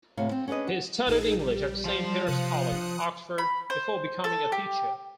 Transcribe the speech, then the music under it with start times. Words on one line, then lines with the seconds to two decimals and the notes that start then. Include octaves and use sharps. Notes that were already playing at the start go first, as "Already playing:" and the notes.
He studied English at Saint Peter's College, Oxford, before becoming a teacher.
0.17 D2 A2 C3 C#5 F5
0.31 C4
0.48 C#4 D4 G#4 B4 D#5
0.67 F#4
1.07 A#1 D#4 G#4 A4
1.39 G3
1.86 F3 C5
2.27 C3 D#6 F#6 C#7
2.72 D4
3.38 B5
3.70 C5
4.24 A4
4.52 G4